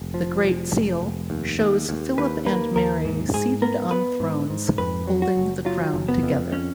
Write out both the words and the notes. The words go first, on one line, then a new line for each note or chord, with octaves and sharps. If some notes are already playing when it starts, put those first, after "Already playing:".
The Great Seal shows Philip and Mary seated on thrones, holding the crown together.
Already playing: F1
F3
F1
F1
F1
D#2
D#2
D#2
D#2 B4
A#3 B4
D#2 A#4
G#2
G#2 G#4
B3 A#4
B3 B4
G#2
G#2
F2 B4
F#3
F#4
F#1
F#3 F4
F#1
B3
F2
C#4